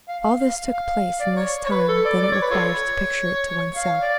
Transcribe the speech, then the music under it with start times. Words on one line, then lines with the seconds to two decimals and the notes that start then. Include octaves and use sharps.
All this took place in less time than it requires to picture it to one's self.
0.08 F5
0.23 F5
0.40 F5
0.55 F5
0.70 F5
1.20 D5
1.37 C#5
1.66 C#5
1.71 B4
1.88 A4
2.05 D5
2.22 D5
2.32 C#5
2.42 B4
2.51 F4 A4 C#5
3.76 F5
4.01 D5